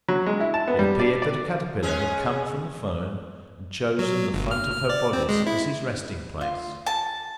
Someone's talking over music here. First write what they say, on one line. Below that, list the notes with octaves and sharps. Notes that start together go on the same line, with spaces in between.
It appeared that a caterpillar had come from the fern and chosen the front of her bodice as his resting place.
F#3
G#3
E4
A5
B3
G3
D5
D5
G#3 C#4 G#4
F#3
G1
F6
F6
D5
C4
G#3
E4
F4
A5